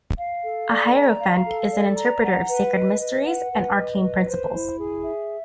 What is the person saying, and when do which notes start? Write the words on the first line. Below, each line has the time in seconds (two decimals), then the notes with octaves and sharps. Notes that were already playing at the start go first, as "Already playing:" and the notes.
A hierophant is an interpreter of sacred mysteries and arcane principles.
0.17 F5
0.44 A4
0.69 D5
0.94 A#5
1.20 F5
1.46 A4
1.72 D5
1.98 A#5
2.23 F#5
2.48 B4
2.75 D#5
3.00 B4
3.25 F#5
3.51 B4
3.76 D#5
4.03 B4
4.28 C5
4.54 E4
4.80 G#4
5.05 E5